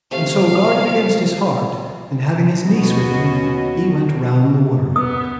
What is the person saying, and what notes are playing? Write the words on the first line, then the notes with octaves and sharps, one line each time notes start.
And so, guarded against his heart and, having his niece with him, he went round the world....
C3 A3 F5 A5
D#2 B2 C#4 F#4 D#5
B3 D#6